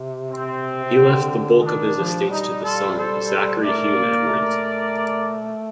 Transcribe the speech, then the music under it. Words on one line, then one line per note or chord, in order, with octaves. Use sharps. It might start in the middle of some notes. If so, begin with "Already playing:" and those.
He left the bulk of his estates to the son, Zacchary Hume Edwards.
Already playing: C3
C4
C3
D3
D#3 D4
F3
G3 D#4
F4 A4
A4 C5
A3 A#4 D5
A#3
A3